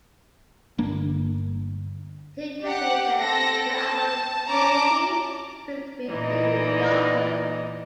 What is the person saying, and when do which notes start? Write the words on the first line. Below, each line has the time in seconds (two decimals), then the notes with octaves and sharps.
Two years later the album "Heresie" proved to be even darker.
0.78 G1 A#3 D4
2.63 G4 F#5
3.20 C4 A4 A#6
3.74 A5
4.48 C#4 A5 A#5 D6
6.09 A#2 E3 D#4 D5 D#5